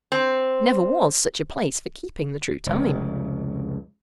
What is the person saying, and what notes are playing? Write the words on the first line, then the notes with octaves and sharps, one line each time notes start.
Never was such a place for keeping the true time.
C4
F1 C#2